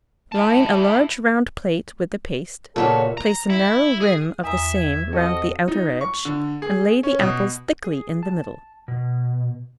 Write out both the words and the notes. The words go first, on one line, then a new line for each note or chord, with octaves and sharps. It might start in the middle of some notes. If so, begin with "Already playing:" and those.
Line a large round plate with the paste, place a narrow rim of the same round the outer edge, and lay the apples thickly in the middle.
E4 A5
A#2 C#3 A#3 F#4 A4 C#5 E5
A#5
E4
G#4
E2 E5 A#5 D#6
G#6
C4 F#4 A4 D#5
D#4
C#6
D3
G#4
C#4
B2
G#4
A5
B2